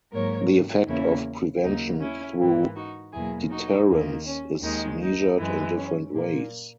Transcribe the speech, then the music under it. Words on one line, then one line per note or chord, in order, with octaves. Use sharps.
The effect of prevention through deterrence is measured in different ways.
G#2 F#3 A#3 A#4 C#5
E2 C#3 E3 A#3 C#4 E4
D#2 C#3 F#3 A#3 D#4
C#4 E4
G#2 E3 A#3
D#4 F#4
E2 B2 F#3 A#3 E4 G#4
D#4 F#4
D#2 D#3 A#3
C#4
D#2 D#3 G#3 D#4
D#4
F#2 E3 G#3
C#4
A#2 A#3